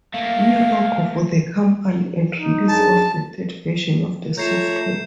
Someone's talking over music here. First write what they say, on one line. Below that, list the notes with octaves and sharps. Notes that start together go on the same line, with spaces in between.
New logo for the company and release of the third version of the software.
A3 A#3 F5
D#4
F#2 D4 G#4 A5
A3 F4 C#5 A#5 G6 C7 E7